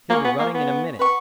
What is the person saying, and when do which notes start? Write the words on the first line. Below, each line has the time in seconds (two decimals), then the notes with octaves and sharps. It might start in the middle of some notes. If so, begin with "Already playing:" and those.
"He'll be running in a minute."
0.10 A#3 F4 G#4 C#5
0.25 B3
0.40 A#3
0.55 B3
0.99 B4 F#5 C#6